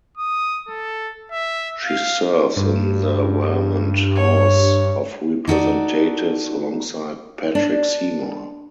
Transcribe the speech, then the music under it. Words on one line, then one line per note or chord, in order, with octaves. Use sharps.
She serves in the Vermont House of Representatives alongside Patrick Seymour.
D#6
A4
E5
F5
G2
C#5
D#4 F#4 A4 D5
D4